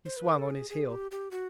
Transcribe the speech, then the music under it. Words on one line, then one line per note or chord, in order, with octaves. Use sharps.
He swung on his heel.
C5
B4
A#4
A4
G#4
G#4
G4
G4
F#4